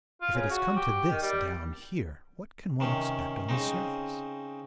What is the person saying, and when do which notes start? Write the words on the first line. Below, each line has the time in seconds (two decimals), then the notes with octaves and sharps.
If it has come to this down here, what can one expect on the surface?
0.22 F4
0.35 C#3
0.51 F#4
0.76 G4
1.10 D#3
1.22 G3
2.80 C3 D#3 C#4
3.49 C#3 C4 D#4